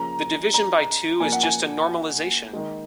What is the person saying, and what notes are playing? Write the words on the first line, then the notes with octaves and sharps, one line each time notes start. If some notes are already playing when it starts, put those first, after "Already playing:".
The division by two is just a normalization.
Already playing: C#3 F3 A#3 A#5
A#5
A#2 F3 A#3 G#5
F#5
G#5
D#3 G#3